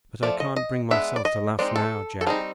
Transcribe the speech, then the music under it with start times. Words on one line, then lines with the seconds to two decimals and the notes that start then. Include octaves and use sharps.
But I can't bring myself to laugh now, Jack.
0.23 F3 A3 D5
0.40 D#5
0.56 D#5
0.91 G#3 B3 D4 E5
1.16 D5
1.25 D#5
1.59 G#3 C4 D#4 D5
1.76 A4
2.21 A4
2.27 G3 C4 D#4 G#4